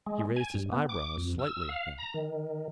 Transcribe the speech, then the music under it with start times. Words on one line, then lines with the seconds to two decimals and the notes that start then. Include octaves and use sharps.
He raised his eyebrows slightly at that.
0.06 G#3
0.36 G#5
0.54 G2
0.72 B3
0.89 D6
1.18 F2
1.39 E6
1.69 F5
1.98 A#5
2.14 D#3